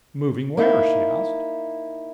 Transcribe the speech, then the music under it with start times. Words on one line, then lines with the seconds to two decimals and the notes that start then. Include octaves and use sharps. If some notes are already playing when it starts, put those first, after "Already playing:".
"Moving where?" she asked.
0.57 A#3 D#4 E4